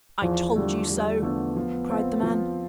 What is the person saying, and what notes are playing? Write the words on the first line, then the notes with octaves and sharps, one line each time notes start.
"I told you so," cried the man.
E2 F3
D3 F3 G3 A3
E2 G3
D3 F3 A3 B3
F3
C4 F4
F3